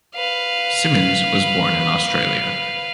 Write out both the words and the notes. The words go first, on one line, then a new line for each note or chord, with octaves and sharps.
Simmons was born in Australia.
B4 F5